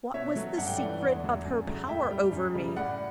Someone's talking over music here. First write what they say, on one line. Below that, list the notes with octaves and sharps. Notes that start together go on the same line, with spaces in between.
What was the secret of her power over me?
B2 C#5 E5
F#3 A3
G2 F#5
G5
E3 A3 D5 F#5
E2
D3 F#3 A3
F#2
C#3 F#3 A3
A2 E5 G5
G3
F#2
C#3 G3
A2 D5 F#5